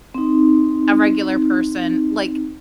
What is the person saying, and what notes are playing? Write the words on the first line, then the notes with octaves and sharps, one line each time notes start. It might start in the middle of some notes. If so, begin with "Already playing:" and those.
a regular person, like
C4 D#4